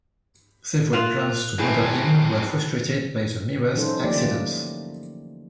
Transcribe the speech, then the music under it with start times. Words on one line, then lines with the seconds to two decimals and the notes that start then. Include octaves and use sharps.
Several plans to murder him were frustrated by the merest accidents.
0.93 A#3 F4 F#6 F7 F#7
1.58 A2 F#3 C4 G#4
3.76 E3 F#3 C#4 D#4 A4 C5
4.04 D3 F3 A3 A#3 G4 D5